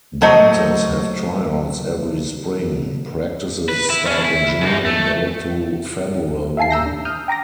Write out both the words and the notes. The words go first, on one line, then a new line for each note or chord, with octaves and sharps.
Dancers have tryouts every spring; practices start in June and go through February.
F#3 A3 C5 D#5
B4
E4
C#4 D4
E4
F#2 D#4
A3
E5 F5 G#5 A5 C7
A#5 E6 G6 A#6
D#2 D4
D#6 F6 G6
G5 A#5 D6 A#6